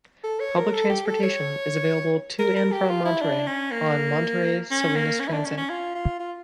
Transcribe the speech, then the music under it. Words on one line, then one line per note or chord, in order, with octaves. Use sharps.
Public transportation is available to and from Monterey on Monterey–Salinas Transit.
A4
C#5
A#4
A4
G4
A4
C#5
A#4
A#4
G4
F4
E4
D4
C#4
A#3
C#4
A#3
C#4
E4
D4
C#4
C#4
F4
F4
F4